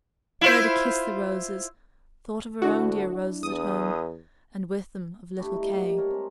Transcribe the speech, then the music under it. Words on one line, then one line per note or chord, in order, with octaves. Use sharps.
Gerda kissed the roses, thought of her own dear roses at home, and with them of little Kay.
E4 F4 C5
D2 D4 E4 F#4
E2 D#6
A3 D4 E4 G4
G3 D#4
A#3
G4
A4 A#4 C#5
G#3 C4